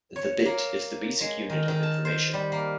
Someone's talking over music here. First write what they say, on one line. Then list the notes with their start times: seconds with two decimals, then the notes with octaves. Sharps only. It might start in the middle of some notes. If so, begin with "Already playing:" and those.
The bit is the basic unit of information.
0.16 C#5
0.45 A#3
1.21 G#3
1.50 D#3
1.68 D#3
1.83 A5
2.05 C5
2.34 G3
2.52 A#3